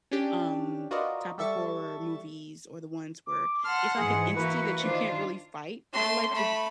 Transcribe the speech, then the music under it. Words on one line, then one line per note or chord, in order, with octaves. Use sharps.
um, type of horror movies or the ones where it's like an entity that you can't really fight, I like the o
C#4 D4 G4
F4 F#4 A#4 B4 D5 D#5
G3 A4 E5 C#6 A6
D6
F#5 A5 C6 F6
G#2 E3 G#4 C#7
E3 A#3 E4 F#4 B4
D#3 D4 F4 C5
A3 C6
A3 B5